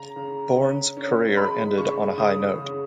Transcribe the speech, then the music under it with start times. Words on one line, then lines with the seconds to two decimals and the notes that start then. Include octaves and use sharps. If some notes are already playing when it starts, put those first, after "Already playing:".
Bourne's career ended on a high note.
Already playing: C#3 A#5
0.16 C#3
0.57 C#4
0.97 C#4
1.37 G#3 B5
1.78 C#3 C#6
2.18 C#3 D#6
2.58 C#3